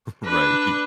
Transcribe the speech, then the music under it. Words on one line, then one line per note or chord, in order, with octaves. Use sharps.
Right, he
D4 B4